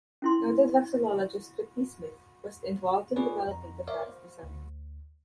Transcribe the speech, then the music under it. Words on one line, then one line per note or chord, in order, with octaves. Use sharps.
Noted vexillologist Whitney Smith was involved in developing the flag's design.
C#4 E4 C6
D#4 F4 G#4 B4 C#5 D5
F2 A#5
A#4 C#5 D5 E5 F5 D6
C5 F5
D2